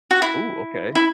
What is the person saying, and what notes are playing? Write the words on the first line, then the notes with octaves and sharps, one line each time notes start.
Ooh, okay.
F#4
E4
E4